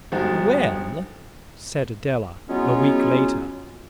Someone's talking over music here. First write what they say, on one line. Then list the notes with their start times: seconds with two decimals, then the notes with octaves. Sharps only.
"Well?" said Adela a week later.
0.12 G1 F3 D#4 F#4
2.49 F#3 G#3 B3 C#4 E4 F4